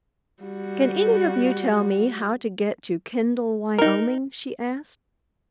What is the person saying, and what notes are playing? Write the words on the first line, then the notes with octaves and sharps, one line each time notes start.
"Can any of you tell me how to get to Kendall, Wyoming?" she asked.
G3 F#4
D#4 A#4